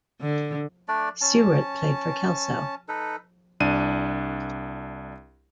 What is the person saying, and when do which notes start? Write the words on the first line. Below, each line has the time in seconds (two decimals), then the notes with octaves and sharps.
Stewart played for Kelso.
0.21 D3
0.88 A3 D4 D5
1.21 C#4 A5
2.88 D#4 A4 B4
3.60 C2 D4 D#7